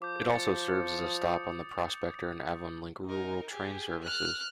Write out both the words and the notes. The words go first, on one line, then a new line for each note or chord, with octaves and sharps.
It also serves as a stop on the Prospector and Avonlink rural train services.
F3 D6 G6
A6 C#7
D#6
D#4 A#4
G4 G#4
F6 F#6